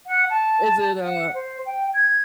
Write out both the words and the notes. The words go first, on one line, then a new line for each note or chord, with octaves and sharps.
Is it a
F#5
A5
F#5
C5
G5
G#6